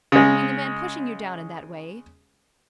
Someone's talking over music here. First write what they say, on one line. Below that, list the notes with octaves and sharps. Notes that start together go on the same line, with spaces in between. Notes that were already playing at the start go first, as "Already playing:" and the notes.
"You mean the man pushing you down in that way?"
C#3 G#3